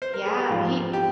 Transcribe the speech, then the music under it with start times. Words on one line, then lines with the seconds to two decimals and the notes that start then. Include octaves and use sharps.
yeah, he
0.02 C5
0.13 A#4
0.26 G#4
0.38 G4
0.50 G#2 F3 F4
0.93 G4